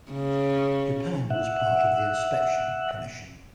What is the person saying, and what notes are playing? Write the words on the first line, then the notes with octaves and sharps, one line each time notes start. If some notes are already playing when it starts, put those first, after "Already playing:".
Japan was part of the inspection commission.
C#3
E5 F#5